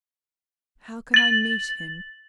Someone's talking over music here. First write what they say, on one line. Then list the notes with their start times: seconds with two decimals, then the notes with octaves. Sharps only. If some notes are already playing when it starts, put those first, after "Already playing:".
How can I meet him?
1.14 A6 F#7